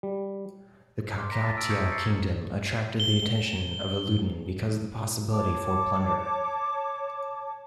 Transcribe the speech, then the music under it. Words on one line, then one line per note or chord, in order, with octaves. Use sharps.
The Kakatiya kingdom attracted the attention of Alauddin because of the possibility for plunder.
G3
C6 D6 F6
A#5 A#6 B6
A5 A6
E6 F6 D7
C#6 D#6 F6 G6 G#6 C#7
E6 G#6 A6 C7 C#7
G7
C#5 A5 D6